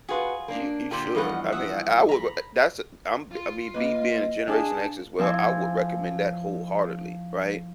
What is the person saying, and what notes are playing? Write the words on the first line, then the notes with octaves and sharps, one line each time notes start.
you you should. I mean, I I would, but i that's a I'm I mean, me being a Generation X as well, I would recommend that wholeheartedly, right?
F4 F#4 G#4 B4
A#3 D4
A#2 D3 G4 C5
E2 G2 F3 D#5 F#5
E5 F#5 D#6
A#5 B5
F4
A#3 B4 D#5
D4 G#4 F5 A5
F3 C4 E4 G#5